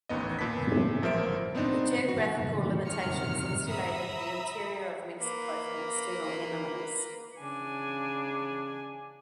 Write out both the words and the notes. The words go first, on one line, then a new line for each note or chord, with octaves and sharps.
The geographical limitations insulated the interior of Mexico from external enemies.
A1 D#2 B3 D#5
A#2 B4 A5 B6
A1 F3 A#4 E5 D7
B3 C4 D4 D#4
F#4
C3 D#3 F6 C#7
E5 A#5 B5 D#6 E6
A#3 B4
C#3 D4 G#5